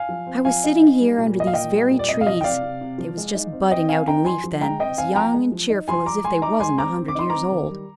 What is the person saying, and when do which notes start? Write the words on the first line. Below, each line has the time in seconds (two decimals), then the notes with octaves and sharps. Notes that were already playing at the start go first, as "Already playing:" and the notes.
I was sitting here under these very trees--they was just budding out in leaf then, as young and cheerful as if they wasn't a hundred years old.
Already playing: F5 G#5
0.09 F3
0.27 C4
0.45 F3 F5 G#5
0.64 D#4
0.82 D#4
1.00 G3
1.18 A#2
1.36 A#3 D#5
1.47 F5
1.54 A#2 D#5 G5
1.72 G3
1.91 A#2
1.99 D5
2.09 C3 D#5
2.21 F5
2.27 F3 D#5
2.41 G5
2.44 C3 D5 F5
2.63 C3
2.81 C3
2.98 F3
3.17 G#3
3.34 D#4
3.52 C4
3.71 C4 D#5 G5
3.89 C4 F5 G#5
4.07 D#4 G5 A#5
4.25 F3 G#5 C6
4.44 F3
4.61 G#3 G5 A#5
4.79 C4 D#5 G5
4.97 C4 F5 G#5
5.15 F3 G5 A#5
5.34 G#3
5.52 F3
5.70 D#4
5.88 F3 G#5 C6
6.06 F3 A#5 D6
6.24 G#3 G#5 C6
6.42 D#4 A#5 D6
6.60 G#3 G#5 C6
6.78 C4 A#5 D6
6.96 C4
7.08 D6
7.15 D#4 C6
7.30 C4 A#5 D6
7.52 D#3
7.70 G3